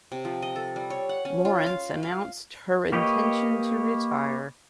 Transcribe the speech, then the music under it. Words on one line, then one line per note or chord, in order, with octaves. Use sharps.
Lawrence announced her intention to retire.
C3
F3
D#5
A4
G3
C#5
F#5
C#4
F4
F5
F5
A#3 G4 B4 C#5 D#5